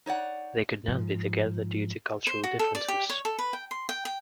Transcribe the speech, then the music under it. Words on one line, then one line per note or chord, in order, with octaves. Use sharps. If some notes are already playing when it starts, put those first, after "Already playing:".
They could not be together due to cultural differences.
D#4 C#5 D5 F#5
G#2 F3
C5
F#4
A4
D5
G4
C#5
A4
B4
G5
C6
G5
G5